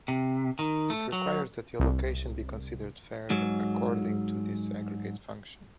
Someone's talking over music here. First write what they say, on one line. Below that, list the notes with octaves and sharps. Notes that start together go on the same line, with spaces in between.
It requires that the allocation be considered fair according to this aggregate function.
C3
D#3
A3
F#3
C2
G#2 F#3